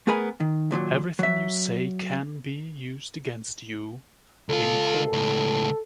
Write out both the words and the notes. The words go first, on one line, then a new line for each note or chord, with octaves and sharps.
Everything you say can be used against you in court.
A3 B3 G#4 A#4 G#5 B5
D#3
D#2 A#2 D#3 F#3
F#3 E5
C#2 F4 A4
C#2 A2